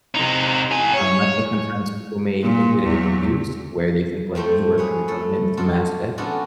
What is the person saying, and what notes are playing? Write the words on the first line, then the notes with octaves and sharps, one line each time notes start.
Um, I think sometimes people may even get it confused where they think, like, you work for the government in some aspect,
C3 D#4
A2 G#5
C#5
A#2
E2 F#3
F2 F3 A3 C5
G#4 B4 C#5
A3 A4
D4 F4 F#4 A4
B3 C#4 D4 F4 F#4 A4